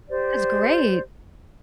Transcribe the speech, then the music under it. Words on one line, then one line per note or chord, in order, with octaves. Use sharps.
That's great.
G4 C5 D5